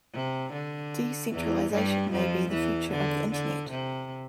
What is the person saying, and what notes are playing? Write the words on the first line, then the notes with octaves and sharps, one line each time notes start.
Decentralization may be the future of the internet.
C3
D3
E2 E3
G2 G3
F2 F3
E2 E3
D3
D3
C3